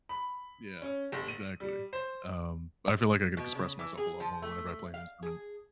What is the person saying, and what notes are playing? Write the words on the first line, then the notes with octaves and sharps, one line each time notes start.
yeah, exactly, um, I feel, like, I could express myself a lot more whenever I play an instrument.
B5
C#4
G1
D#7
G3
C5
B2
C#3
E3
G#4
F3
A3
F5
G#4